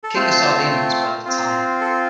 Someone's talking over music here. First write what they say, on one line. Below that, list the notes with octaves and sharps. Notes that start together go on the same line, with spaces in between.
The King of Sardinia was playing for time.
A4
A3 C4 F4 C5
C4 F4
A4